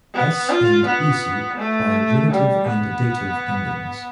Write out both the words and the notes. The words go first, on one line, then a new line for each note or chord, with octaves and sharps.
S and -isi are genitive and dative endings.
B3
F4
B3
A3
G3
B3